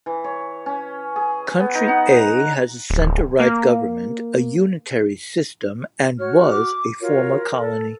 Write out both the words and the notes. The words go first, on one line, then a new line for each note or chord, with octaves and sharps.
Country A has a centre-right government, a unitary system and was a former colony.
E3
C#5
C#4
G#4
B3
D#4
F#5
A#5
D1
A#3
F#4 C#5 F6
D6
F4 F#4 A#4 C#5
A4